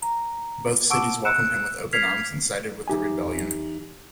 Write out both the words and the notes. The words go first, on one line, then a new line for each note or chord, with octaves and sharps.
Both cities welcomed him with open arms and sided with the rebellion.
A#5
F#5 A5 C#6 D6 E6 D7
E6 F#6 C#7 D7 E7
F6 G#6 B6 C7 F7
E2 D#4 G4 E5 G#5